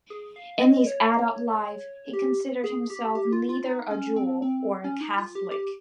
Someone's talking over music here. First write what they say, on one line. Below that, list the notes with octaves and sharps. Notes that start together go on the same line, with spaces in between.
In his adult life he considered himself neither a Jew nor a Catholic.
G#4
F5
D#5
C#5
G4
G#4
G4
G4
F4
F4
D#4
C#4
C4
C4
C#4
D#4
F4
G4
G4